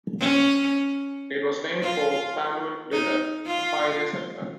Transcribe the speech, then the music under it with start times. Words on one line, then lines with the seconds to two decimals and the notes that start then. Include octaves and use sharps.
It was named for Samuel Diller, a pioneer settler.
0.20 C#4
1.83 F4
2.92 D#4
3.47 F4